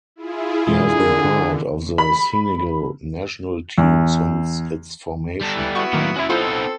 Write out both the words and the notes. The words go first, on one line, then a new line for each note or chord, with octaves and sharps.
He has been part of the Senegal national team since its formation.
E4 F4 G#4
B2 D3 E3 G#3 G#4
A#4
B5
E2
G3 A4
E3
B3 E4 F#4 C#6
A2 D#3 F#3 A#3
C#4 E4 F#4 E5
B3 C4 D#4 F4 A4 C5 F5